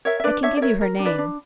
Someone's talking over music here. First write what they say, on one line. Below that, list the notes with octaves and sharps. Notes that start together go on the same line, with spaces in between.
I can give you her name.'
A#4 C#5 E5
E5
D4 B4 D5
D4 C#5 E5
D5
A#4 C#5 E5
A#4
D4
B4 D5
D4